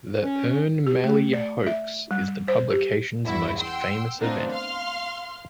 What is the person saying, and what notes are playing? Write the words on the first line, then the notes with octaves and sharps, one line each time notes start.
The Ern Malley hoax is the publication's most famous event.
C#4
G4
A3
D5
E5
G3
C5
G4
E2 G2 E4 F#4 E5
F#5 G5 C6 E6
A3 B3 C4 D4 D#4 F4
F5 C6 F6